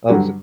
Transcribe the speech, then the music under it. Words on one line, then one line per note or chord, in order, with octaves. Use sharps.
Oh, so
G2 D3 F#3